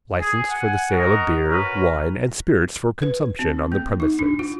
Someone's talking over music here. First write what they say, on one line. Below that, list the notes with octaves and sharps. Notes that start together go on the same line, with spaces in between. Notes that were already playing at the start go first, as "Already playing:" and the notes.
Licensed for the sale of beer, wine and spirits for consumption on the premises.
G#4
F#5 G#5
F#4 A#4 D#5 A#5
C#4 F#4 A#4 B4
B4
C4
A#3
D#4
D4
F4